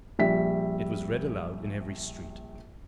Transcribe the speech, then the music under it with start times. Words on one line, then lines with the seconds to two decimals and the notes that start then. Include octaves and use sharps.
It was read aloud in every street.
0.19 A#1 G3 E5 B6